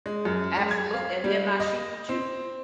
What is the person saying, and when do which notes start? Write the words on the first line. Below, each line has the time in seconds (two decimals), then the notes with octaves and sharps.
Absolute and then I shoot you.
0.06 G#3
0.25 F#2
0.57 G#3
0.71 G#6
0.94 F5
1.24 G3
1.60 D#5
2.09 C4